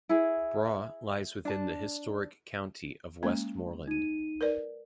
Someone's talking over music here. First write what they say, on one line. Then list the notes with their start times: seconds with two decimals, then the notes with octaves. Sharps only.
Brough lies within the historic county of Westmorland.
0.09 E4 G#4
1.45 D4 A5
3.23 G#3 A#3 C#4
3.87 D#4 D#7
4.41 A#4 B4 D5